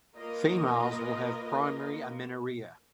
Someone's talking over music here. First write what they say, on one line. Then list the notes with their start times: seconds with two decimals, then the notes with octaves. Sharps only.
Females will have primary amenorrhea.
0.17 A#3 F4 A#4 B4 D#5